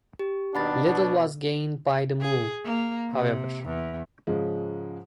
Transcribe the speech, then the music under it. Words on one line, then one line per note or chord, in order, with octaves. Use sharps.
Little was gained by the move, however.
G4
D#2 B2 D#3 D4 F#5 B5 A6
B2
G#4
A#3
C3
E2
G#2 C#3 F3 G#3